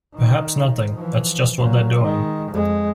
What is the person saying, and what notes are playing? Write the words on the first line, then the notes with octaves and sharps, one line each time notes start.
Perhaps nothing-that's just what they're doing.
D#3
E3 F3
A#2 F#3
D#3 G#3
F2 G#3